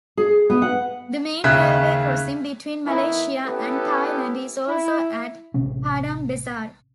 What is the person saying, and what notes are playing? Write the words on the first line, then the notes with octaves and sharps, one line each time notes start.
The main railway crossing between Malaysia and Thailand is also at Padang Besar.
G#4
B3
F#5
D#2 C#3 D#4 E5 F#6 B6
D#3 B3 D#4 E4
B3 C#4 E4 G4 A4 B4
E4
A1 C3 C#4